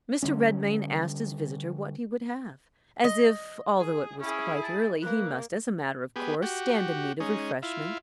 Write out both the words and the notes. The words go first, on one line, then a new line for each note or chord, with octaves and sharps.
Mr. Redmain asked his visitor what he would have, as if, although it was quite early, he must, as a matter of course, stand in need of refreshment.
D3 F3 G3 C#4
D#5
G#4
C#4 E4 G#4
A5
A#3 B4
B3 G4 G#4
F#4 G4
G#3 C#4 D#4
E4 F4